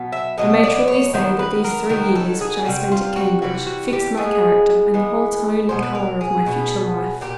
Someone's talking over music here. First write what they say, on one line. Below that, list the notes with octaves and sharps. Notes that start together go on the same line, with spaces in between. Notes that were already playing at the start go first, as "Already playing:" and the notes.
I may truly say, that these three years, which I spent at Cambridge, fixed my character, and the whole tone and colour of my future life.
Already playing: B2 F#3 B3
E5
B2 F#3 B3 D#5
D5
C#5
D#3 F#3 B3 C5
B4
A#4
D#3 F#3 B3 A#4
A4
G#4
C3 E3 G3 F#4
F4
F#4
C3 E3 G3 F#4
F#4
G4
E3 G#3 B3 G#4
E3 G#3 B3
B2 F#3 B3 C5
B4
A#4
G#4
B2 F#3 B3
A#2 G4